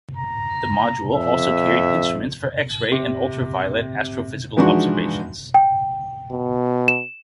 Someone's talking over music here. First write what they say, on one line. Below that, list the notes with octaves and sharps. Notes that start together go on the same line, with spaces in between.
The module also carried instruments for X-ray and ultraviolet astrophysical observations.
A#5
F2 E5
C3
E3 F3 G#3 D4 D#4 F#4
G5
B2
E7